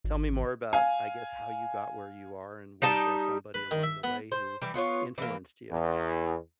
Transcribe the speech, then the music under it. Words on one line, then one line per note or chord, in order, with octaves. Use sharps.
tell me more about, I guess, how you got where you are, and was there somebody along the way who influenced you?
G#1
F5 G#5
G3 D#4 A5
B4
D#3
E5
B3
C5
E3 G3
B3 F4 C5 C#5
E3 A#3
E2